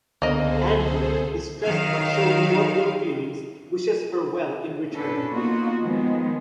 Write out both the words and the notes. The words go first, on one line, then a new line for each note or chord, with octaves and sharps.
Andrew, distressed but showing no ill-feelings, wishes her well in return.
C#2 D3 A#3 B3 G#4 A4 C5 D#5
D#3 F#3 F5
C#4 D4 A4 B4
A#3 B3 D#4 F4 F#4
D#3 F3 G#3 B3